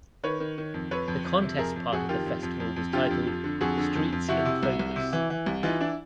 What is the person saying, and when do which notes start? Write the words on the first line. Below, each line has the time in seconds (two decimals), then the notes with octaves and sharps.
The contest part of the festival was titled "Streets in Focus".
0.24 D#3 B4 C#5
0.40 D#3
0.58 D#3
0.74 F2
0.91 F2 B4 C#5
1.08 F2
1.25 F2
1.42 C3
1.58 F2 G#4 A#4
1.76 F2
1.92 F2 F#4 G#4
2.09 D#3 F4 G4
2.26 F2
2.43 F2
2.60 F2
2.76 F2
2.93 D3 F4 G4
3.11 F2
3.27 F2
3.44 D3
3.61 F2 F#4 G#4
3.77 D3
3.95 F2
4.12 F2
4.29 C3 E4 F#4
4.45 C3
4.63 C2
4.79 C2
4.96 C3
5.13 E3
5.30 E3
5.46 C2
5.63 E3 D#4 F4
5.80 D4 E4